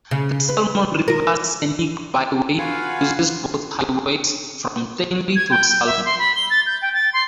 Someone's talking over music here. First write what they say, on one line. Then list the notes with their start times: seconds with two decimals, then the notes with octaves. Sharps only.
The "Salmon River Scenic Byway" uses both highways, from Stanley to Salmon.
0.11 C#3
0.49 B4
1.08 A#4
2.59 F4 F#4 B4 F5 F#5 G#5
5.36 G#6
5.51 G5
5.70 G6
5.86 E5
6.05 C6
6.19 B5
6.36 G7
6.50 A6
6.66 G6
6.82 G5
6.94 A6
7.13 C6